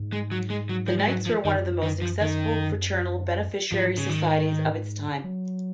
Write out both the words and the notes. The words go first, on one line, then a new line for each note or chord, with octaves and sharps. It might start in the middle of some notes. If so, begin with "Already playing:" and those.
The Knights were one of the most successful fraternal beneficiary societies of its time.
Already playing: G#2
G#3
F#3
G#3
F#3
F3
G#3
F#3
F3
F#2 D#3
D#3
F3
D#3
G#2 F3
C#3
D#3
F#3